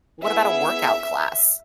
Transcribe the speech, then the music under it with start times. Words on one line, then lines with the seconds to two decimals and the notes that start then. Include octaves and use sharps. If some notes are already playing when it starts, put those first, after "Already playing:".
what about a workout class?
0.23 B3 E4 G#4 E5